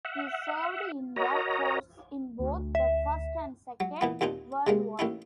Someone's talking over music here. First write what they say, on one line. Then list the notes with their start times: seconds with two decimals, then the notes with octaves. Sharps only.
He served in the forces in both the First and Second World Wars.
0.05 E5 F#5
1.16 F#4 A#4 C#5 D#5 A#5
2.39 D2
2.75 E5
3.80 F#3
4.01 A#2 E3 B3
4.21 D#2 A#2 C4 D4 D#4
4.67 C3 G#3 A#3
4.99 A1 A#3 C#4 D#4 E4